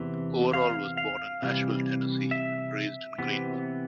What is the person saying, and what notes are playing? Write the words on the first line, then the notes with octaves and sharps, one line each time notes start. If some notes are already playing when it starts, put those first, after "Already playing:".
Overall was born in Nashville, Tennessee, and raised in Greeneville.
Already playing: E2 C3 E3
F5
F5
C3 E3 G3
E5
C3 E3 B3